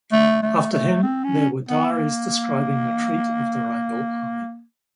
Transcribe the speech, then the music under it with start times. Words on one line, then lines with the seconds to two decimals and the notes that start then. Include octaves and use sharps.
After him there were diaries describing the retreat of the Wrangel army.
0.12 A3
0.42 A3
0.72 A3
1.03 C4
1.24 C#4
1.69 B3
1.91 A#3